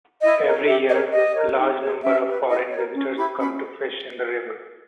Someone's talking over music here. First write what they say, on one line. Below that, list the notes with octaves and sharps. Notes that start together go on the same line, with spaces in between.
Every year, a large number of foreign visitors come to fish in the river.
E4 D#5
A#4 C#5
G4 E5
A#4 C#5 D#5
G4 D#5
A#4 C#5
D#4
G#4 C#5
C#4 E5
G4 B4
E4 D#5
A#4 C#5
C#4
E4 G4 B5
C#4 B5